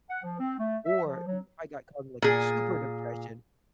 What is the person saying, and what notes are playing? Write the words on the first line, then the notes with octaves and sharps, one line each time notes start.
or, you know, if I got caught in, like, a super depression,
F#5
F3
C4
A3
E5
F3
F#3
A#2 G#4